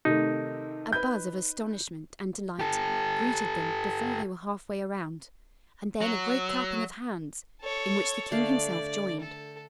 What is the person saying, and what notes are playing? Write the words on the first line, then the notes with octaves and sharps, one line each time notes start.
A buzz of astonishment and delight greeted them before they were half way around, and then a great clapping of hands, in which the king himself joined.
C3 D#3 A3 D#4
B4 G6
G4 A4
F#3
A4 C#5
D3 A3 D5 F5
A4